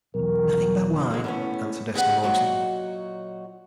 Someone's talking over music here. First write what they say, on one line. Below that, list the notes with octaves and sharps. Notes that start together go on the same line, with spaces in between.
"Nothing but wine," answered Esther Mawson.
B1 E2 A#4
D3 G#3
A2 B3 C#4
C#3 G3 G#4 F#5
A#2 F#3 D#4 F#4